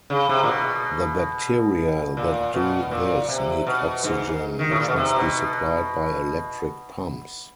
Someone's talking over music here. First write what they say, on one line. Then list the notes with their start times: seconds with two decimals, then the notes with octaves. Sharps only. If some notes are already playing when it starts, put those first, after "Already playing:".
The bacteria that do this need oxygen, which must be supplied by electric pumps.
0.10 C#3
0.29 C3
0.43 A#2
0.48 B2
2.17 A#2
2.54 B2
2.91 A#2
3.29 C3
3.67 B2
4.04 G#2
4.59 D#3
4.71 A2
4.80 A#2
4.88 B2
4.96 C3
5.16 B2